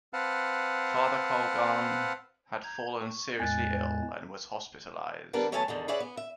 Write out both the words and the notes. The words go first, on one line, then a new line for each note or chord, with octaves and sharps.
Father Colgan had fallen seriously ill and was hospitalized.
C4 B4 F5 F#5 A5
A#5 G6 G#6
C#6
E2 A2 G#3 G#5 F#6 A6
D3 G3 B3 D4 A#4 B4
F#3 A3 B3 C#5 G#5 A5
E2 D3 D#3
G#4 B4 C#5 D5 E5 F#5
B3
E5